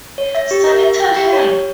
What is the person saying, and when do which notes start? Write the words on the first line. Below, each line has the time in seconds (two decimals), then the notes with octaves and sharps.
Sentinel Help!
0.18 C#5
0.35 E5
0.51 G4
0.67 A#4
0.83 E5
1.00 G5
1.16 G4
1.33 C#5
1.49 C#5